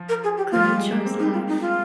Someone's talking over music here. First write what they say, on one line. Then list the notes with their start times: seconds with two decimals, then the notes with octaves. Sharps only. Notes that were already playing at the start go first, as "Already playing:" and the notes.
Kun chose life.
Already playing: F3
0.09 A#4
0.24 G#4
0.38 G4
0.51 F3 F4
0.64 G3
0.78 G#3
0.92 A#3
1.06 C4
1.14 A#3
1.19 C4 D#4
1.33 F4
1.47 D#4
1.61 F4